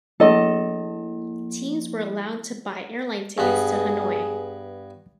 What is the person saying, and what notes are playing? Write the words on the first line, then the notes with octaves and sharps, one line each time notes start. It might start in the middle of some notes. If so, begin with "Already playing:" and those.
Teams were allowed to buy airline tickets to Hanoi.
F3 A#3 E4 A4 D#5
G2 B3 G#4